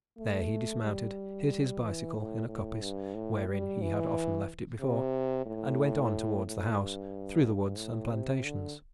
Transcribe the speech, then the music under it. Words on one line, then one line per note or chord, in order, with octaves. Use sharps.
There he dismounted, hid his bicycle in a coppice wherein he had often left it before, and went on towards the house through the woods and plantations.
A3
G3
E3
A2
A2
G2
A2
G3
E3
C3
A2
A2
G2
A2
C3
D3